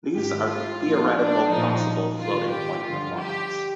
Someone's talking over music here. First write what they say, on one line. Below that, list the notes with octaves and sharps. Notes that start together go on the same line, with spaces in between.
These are the theoretical possible Floating Point performance.
G#2 D#3 G4
F4
A#2 F3 F4
D4
A#2 F3 D#4
G#2 D#3 F4
G4
G2 D3 F3 F4
G4